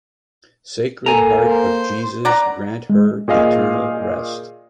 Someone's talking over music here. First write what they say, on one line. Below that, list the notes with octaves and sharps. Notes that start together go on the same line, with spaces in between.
Sacred Heart of Jesus grant her eternal rest.
A#3 A4 G#5 A#5
C5
D5 F#5 A#5
G#3
A#2 G#4 D#5 F5